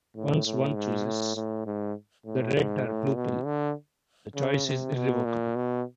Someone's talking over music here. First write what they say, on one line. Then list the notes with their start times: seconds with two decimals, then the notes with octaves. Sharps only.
Once one chooses the red or blue pill, the choice is irrevocable.
0.16 A2
0.46 A2
0.76 G#2
1.06 A2
1.35 A2
1.66 G#2
2.26 A2
2.55 G#2
2.86 A2
3.15 B2
3.45 D3
4.35 C#3
4.66 C3
4.95 B2
5.25 A#2
5.56 B2